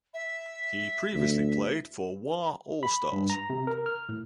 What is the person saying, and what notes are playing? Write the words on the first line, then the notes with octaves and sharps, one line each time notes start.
He previously played for Wa All Stars.
E5
D2
B5
G2
A#5
C3
A#4
F6
A2